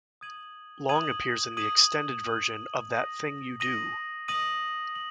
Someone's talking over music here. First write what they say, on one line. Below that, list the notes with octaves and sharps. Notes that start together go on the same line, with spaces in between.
Long appears in the Extended Version of That Thing You Do!
D#6 G#6 D#7 F#7
D#6 G#6 D#7 F#7
D#6 G#6 D#7 F#7
D#6 G#6 D#7 F#7
D#6 A#6 D#7 F#7
D#6 A#6 D#7 F#7
D#6 A#6 D#7 F#7
F#7